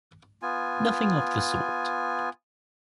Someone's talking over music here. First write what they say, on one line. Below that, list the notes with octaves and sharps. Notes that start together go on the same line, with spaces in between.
Nothing of the sort.
B3 F4 G#5